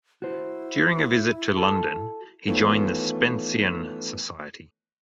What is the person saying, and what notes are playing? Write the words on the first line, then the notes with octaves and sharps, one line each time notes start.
During a visit to London he joined the Spencean Society.
E4 F#4 C5
F#4 A4 A5
D#3 E3 A3 B3 F4 C#5